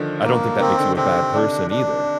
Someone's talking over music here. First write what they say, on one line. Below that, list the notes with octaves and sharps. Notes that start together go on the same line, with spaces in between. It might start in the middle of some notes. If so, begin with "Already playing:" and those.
I don't think that makes you a bad person either.
Already playing: D3 D#3 F3
A#3
D#3 C4
D3
D3
C3 C4
C3
D3 D4
D4